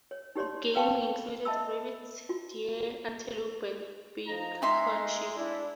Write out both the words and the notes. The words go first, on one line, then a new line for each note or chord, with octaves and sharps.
Game included rabbits, deer, antelope, and bighorn sheep.
C#5
D#4 G4 C#5 D5 C6
B4 F5 G5 A5 B5 C#6
D#5 E5 A5 B5 E6
F4 F#4
F3 D#4 A#5
G#3 D#4 E5 C6
D4 E4